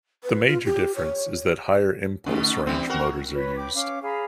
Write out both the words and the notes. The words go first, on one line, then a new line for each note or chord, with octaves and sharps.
The major difference is that higher impulse range motors are used.
B4
F4
G4
C#5
B2 D3 A3 C#4
E3 G3 C4 D4
F#4 A#4 G5
B4 C#5 B5
G5 D6
C#4 F5 D6
G#4 F5 A#5 B5